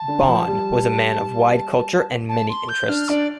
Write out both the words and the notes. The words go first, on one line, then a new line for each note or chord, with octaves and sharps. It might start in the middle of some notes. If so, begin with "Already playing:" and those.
Bohn was a man of wide culture and many interests.
Already playing: A5
D3
F3
G3
A5
C6
G6
D4 F6
D4 D5